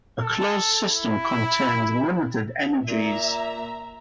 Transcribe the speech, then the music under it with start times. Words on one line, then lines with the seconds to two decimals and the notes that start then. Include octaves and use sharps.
A closed system contains limited energies.
0.22 A4
0.86 E4
2.88 A#2 E5 A#5